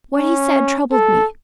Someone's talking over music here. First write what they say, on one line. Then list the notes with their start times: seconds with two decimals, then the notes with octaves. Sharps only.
What he said troubled me.
0.17 C#4
0.92 A4